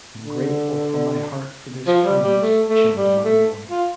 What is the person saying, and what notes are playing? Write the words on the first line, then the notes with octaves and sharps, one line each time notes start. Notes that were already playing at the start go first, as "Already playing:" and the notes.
I am grateful from my heart for this kindness shown to my boy.
D3
F3
G3
G3
A3
A3
G3
A3
F4